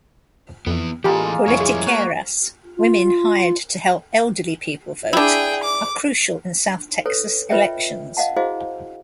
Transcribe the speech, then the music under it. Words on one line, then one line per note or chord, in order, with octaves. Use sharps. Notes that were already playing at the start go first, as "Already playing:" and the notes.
"Politiqueras", women hired to help elderly people vote, are crucial in South Texas elections.
F2 E3 B3
E3 G#3 A#3 F4 G4 A4 B5
F2 G3 E4 C#5
G#4
A#3 F#4
F4
D4 E4 G#4 G5
D6
A4 B4 C#5
F4 B4 C#5 D#5 E5 G5
D#5 F5 F#5 A5
E4 F#4 G#4 C5 D#5 F5